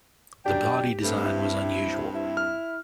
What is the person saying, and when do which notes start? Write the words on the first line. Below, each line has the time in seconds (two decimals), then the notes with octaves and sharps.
The body design was unusual.
0.46 F#2 D4 G4 G5
1.03 G2 A3 C4
1.25 E4
2.15 E4
2.37 F6